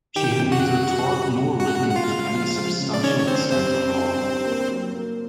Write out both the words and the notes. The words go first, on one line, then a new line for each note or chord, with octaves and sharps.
She had neither taught nor written to any substantial extent on law.
D#3 G4 G5
F#2
F#4 F#5
G3
G3
G3
G3
C#3 F#4 F#5
G#3
F#5
F4 F5
G#3
F3
F3
C#3
D5
D#3 C#4 C#5
C#5
C4 D4 C5
G3 C4 C5
D4
D4
G3
A#3
F#3
A#3